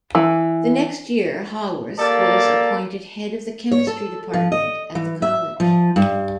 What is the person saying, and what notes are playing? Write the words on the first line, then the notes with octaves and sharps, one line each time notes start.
The next year Haworth was appointed Head of the Chemistry Department at the college.
E3
A#3 G4 A4 D5 A5
C#5
A4
F3
D#5
E3
E5
F3
G2